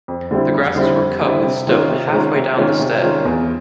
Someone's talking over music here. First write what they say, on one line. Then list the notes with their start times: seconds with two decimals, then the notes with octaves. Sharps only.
The grasses were cut with stone halfway down the stem.
0.08 F2
0.31 D3 G3 C4 E4
0.54 F2
0.76 D3 G3 C4 E4
0.99 F2
1.21 D3 G3 C4 E4
1.44 C3
1.67 D#3 G#3 C#4 F4
1.89 C3
2.12 D#3 G#3 C#4 F4
2.35 C3
2.57 D#3 G#3 C#4 F4
2.79 C3
3.02 D#3 G#3 C#4 F4
3.25 E2